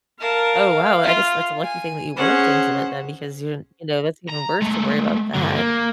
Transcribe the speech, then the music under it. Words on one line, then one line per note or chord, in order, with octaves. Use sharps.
Oh, wow. I guess that's a lucky thing that you weren't intimate then because you're you know, that's even worse to worry about that.
A#4 F5 A5
F4
G#5
C#4 G#4 C5 F#5
A#5
G#3 A3
G2 D3
A#3